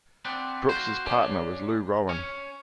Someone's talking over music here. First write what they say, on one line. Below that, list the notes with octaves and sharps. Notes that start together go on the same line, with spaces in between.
Brooks' partner was Lou Rowan.
B3 C4 D4
F4 F#4 C5
C#4 D4
C#4 C#5